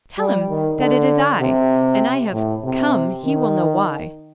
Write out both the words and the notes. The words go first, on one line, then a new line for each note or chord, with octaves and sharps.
'Tell him that it is I, and I have come he well knows why.'
G3
D#3
D3
C3
A2
C3
D#3